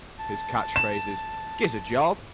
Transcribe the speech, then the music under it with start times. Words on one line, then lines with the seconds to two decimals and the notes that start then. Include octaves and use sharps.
His catchphrases, Gizza' job!
0.19 A5
0.76 E7